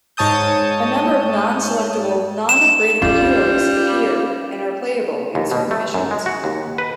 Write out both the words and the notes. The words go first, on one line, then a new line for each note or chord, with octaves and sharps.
A number of non-selectable, non-upgradable heroes appear and are playable in certain missions.
G#2 C#5 A5 D#6 G6
E7
G3 C#4 D#4 F4
D#2
B2
A3
F#2
G#3
F#4
D#2
B4